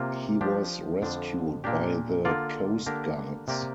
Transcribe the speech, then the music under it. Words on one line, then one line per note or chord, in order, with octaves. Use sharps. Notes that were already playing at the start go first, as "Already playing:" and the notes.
He was rescued by the coastguards.
Already playing: C3 A#3 F4
F3 D4 G4
F2 D3 F3 D4
A#2 A#3 D4 G4
D3 A#3 F4 D5
D3 A#3 D4 G4 A#4
C3 A#3 G4 D5